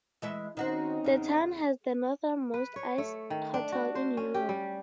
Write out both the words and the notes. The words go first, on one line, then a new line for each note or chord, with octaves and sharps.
The town has the northernmost ice hotel in Europe.
E3 G#3 E5
D#3 C4 C#4 D#4 F#4 C5
E2 C#3
B4
C#5
A3
D#3
D4
F#4
C5
C#4
G4
G3